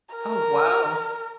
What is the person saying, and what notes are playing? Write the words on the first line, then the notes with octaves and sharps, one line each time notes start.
Oh, wow.
A#4